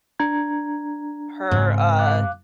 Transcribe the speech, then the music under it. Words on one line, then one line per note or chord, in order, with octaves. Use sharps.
her, uh,
D4 A#5 G#6
G#2 C#3 C4
F5 D6 F#6